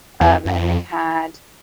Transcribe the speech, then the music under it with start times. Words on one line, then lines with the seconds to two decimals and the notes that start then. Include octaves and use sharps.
um, and they had,
0.21 E2
0.29 F2
0.45 F#2
0.54 F2